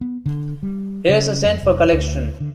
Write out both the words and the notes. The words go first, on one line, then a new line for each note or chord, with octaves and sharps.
Here’s a cent for collection.
B3
D3
G3
C#3
F2
F1
D2
D3